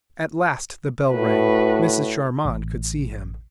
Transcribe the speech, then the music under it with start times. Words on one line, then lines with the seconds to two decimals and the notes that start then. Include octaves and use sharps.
At last the bell rang: Mrs. Charmond could see him.
1.11 A2 F#4 B4
2.45 A1